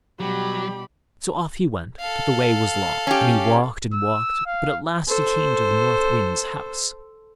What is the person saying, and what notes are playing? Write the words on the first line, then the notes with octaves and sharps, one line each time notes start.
So off he went, but the way was long, and he walked and walked; but at last he came to the North Wind's house.
B2 F#3 G3 G4 B5
A4 F5
C#4 G4
E6
F5
A4 C5